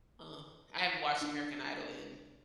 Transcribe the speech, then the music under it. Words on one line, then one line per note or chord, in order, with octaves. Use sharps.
Uh, I haven't watched American Idol in,
D4